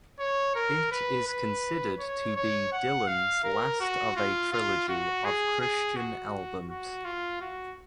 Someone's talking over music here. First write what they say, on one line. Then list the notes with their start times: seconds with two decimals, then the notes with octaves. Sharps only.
It is considered to be Dylan's last of a trilogy of Christian albums.
0.19 C#5
0.55 A#4
0.92 B4
1.27 B4
1.99 C#5
2.36 C#5
2.72 F#5
3.08 F5
3.44 A#4
3.80 F#4
4.16 F4
4.52 F4
4.89 F#4
5.25 G#4
5.61 G#4
5.96 F#4
6.69 F#4
7.05 F4
7.41 F#4